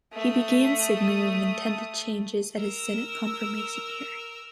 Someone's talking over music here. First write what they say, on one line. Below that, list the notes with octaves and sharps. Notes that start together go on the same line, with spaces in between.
He began signaling intended changes at his Senate confirmation hearing.
A3 D#6
A#4 E6